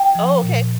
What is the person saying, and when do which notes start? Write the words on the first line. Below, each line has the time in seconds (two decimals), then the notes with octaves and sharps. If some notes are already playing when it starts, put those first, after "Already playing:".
Oh, okay.
Already playing: G5
0.15 F3
0.43 A#2